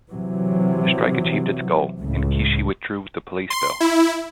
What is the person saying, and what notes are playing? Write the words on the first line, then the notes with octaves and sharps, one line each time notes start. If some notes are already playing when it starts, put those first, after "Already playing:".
The strike achieved its goal, and Kishi withdrew the police bill.
C3 E3 F#3
C#2 A2
C6
E4